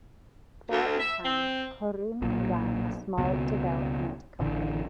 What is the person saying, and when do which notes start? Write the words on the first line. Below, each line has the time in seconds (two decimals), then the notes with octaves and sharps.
For a time, Corroon ran a small development company.
0.70 D2
0.99 E5
1.25 C4
2.22 B1 A#2
3.18 C#2 B2
4.40 A1 D3 E3